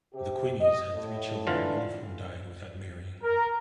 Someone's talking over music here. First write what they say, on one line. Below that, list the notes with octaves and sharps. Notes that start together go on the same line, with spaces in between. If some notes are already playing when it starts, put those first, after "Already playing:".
The Quineys had three children, all of whom died without marrying.
C3 G4
D#5
A2
D3 E3 F4
A#4